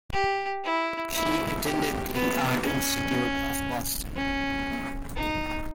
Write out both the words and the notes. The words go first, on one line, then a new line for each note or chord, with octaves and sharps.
She attended the Art Institute of Boston.
G4
E4
E4
G4
B3
C#4
C#4
D#4